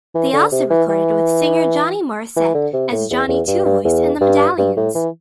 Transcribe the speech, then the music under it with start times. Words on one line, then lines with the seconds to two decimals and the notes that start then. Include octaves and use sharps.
They also recorded with singer Johnny Morrisette, as Johnny Twovoice and The Medallions.
0.15 E3
0.33 D3
0.52 C3
0.70 E3
0.89 E3
2.36 E3
2.55 D3
2.73 C3
2.92 A2
3.10 E2
3.28 E2
3.47 G2
3.65 G2
3.85 E2
4.21 G2
4.58 G2
4.77 A2
4.95 E3